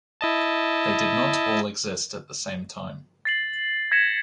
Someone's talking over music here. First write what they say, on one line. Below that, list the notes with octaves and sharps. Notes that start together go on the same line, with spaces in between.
They did not all exist at the same time.
E4 D#5 A5
A6 C7 F#7
G#6 A#6 B6 C#7 E7